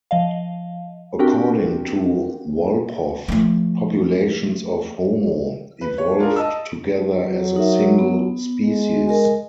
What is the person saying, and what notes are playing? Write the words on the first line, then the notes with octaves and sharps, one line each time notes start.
According to Wolpoff, populations of "Homo" evolved together as a single species.
F3 D#5 F5
C4 D4 F#4 G4 A#4 G5
F3 A3
B4
C#5
D4 F4 G#4 A#4
D#5 A5 E6
F#3
D#4 A#4 E5
B3
G#3
A#4 D#5 G#5